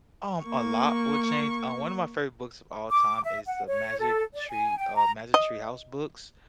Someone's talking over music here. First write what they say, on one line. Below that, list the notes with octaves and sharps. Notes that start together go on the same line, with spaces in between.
Um, a lot would change, um, one of my favorite books of all time is the Magic Tree, uh, Magic Tree House books,
A#3 C#6
D6
E5
F#5
C#5
A4
D5
G#5
G5
A#5
D#5